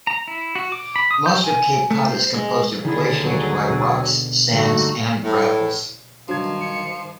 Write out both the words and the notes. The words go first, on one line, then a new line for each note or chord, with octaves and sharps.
Most of Cape Cod is composed of glacially derived rocks, sands, and gravels.
A#5
E4
F#4
D6
B5
D#6
G6
G#5
A3
C5
G#3
D#2 D3 D#3 E4 G#4
F#3
B2 D4
G2 D3 A3 A#3 D#4 F#4
A2
G2 D#3 F3 F#3 D4 G#6
C#7